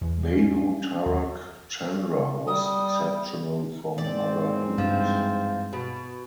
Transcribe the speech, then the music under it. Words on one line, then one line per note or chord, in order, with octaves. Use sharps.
Babu Tarak Chandra was exceptional from other Hindus.
E2
C#4
D#2
G3 D#6
G#2 E3 C4 D5
G2 F3
B2